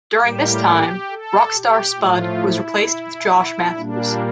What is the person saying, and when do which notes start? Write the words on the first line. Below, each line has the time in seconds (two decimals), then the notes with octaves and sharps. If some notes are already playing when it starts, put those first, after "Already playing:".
During this time Rockstar Spud was replaced with Josh Mathews.
0.21 A2 G3 A#3 G4
1.10 A4
1.53 G4
1.98 A2 F3 A3 F4
2.42 E4
3.75 A#2 G3 A#3 D4